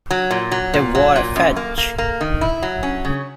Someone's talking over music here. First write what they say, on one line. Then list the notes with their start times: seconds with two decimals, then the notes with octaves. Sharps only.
He wore a fez.
0.11 F#3
0.31 A#2
0.52 F#3
0.74 A#2
0.95 F#3
1.16 A#2
1.36 F#2
1.56 A#3
1.78 A#3
1.98 A#3
2.21 D#3
2.41 E4
2.63 F#3
2.83 C#4
3.05 C#3